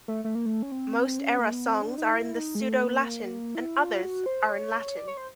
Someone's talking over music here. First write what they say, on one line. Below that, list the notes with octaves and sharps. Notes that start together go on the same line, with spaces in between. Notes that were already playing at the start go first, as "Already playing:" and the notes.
Most Era songs are in Pseudo-Latin and others are in Latin.
A3
A3
A#3
A3
C#4
C4
C#4
A#3
B3
C4
D4
D#4
E4
D#4
G#3
A3
A#3
E4
F4
F#4
C5
C#5
D5
C#5
C5